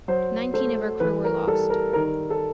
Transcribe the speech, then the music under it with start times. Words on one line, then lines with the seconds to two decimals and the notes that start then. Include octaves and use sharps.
Nineteen of her crew were lost.
0.08 F#3 C5
0.54 A3 C5
1.00 E3 B4
1.24 A#4
1.47 G3 A4
1.70 A#4
1.93 D#3 A#4
2.30 A4